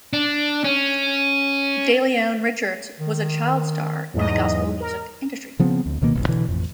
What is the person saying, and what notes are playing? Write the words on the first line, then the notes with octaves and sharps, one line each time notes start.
DeLeon Richards was a child star in the gospel music industry.
D4
C#4
D#3
E2 G#2 F#3 D#5
A#4
C#3 F3 B3 C4
D2
C#2 B2 D#3 A#3
F1 B1
B2 D3 E3
A1 F2